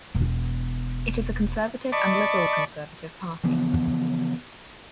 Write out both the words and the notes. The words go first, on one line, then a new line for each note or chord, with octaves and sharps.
It is a conservative and liberal conservative party.
E1 B3
D5 D#5 A5 B5 C#6 D6
C#3 E3 F3 B3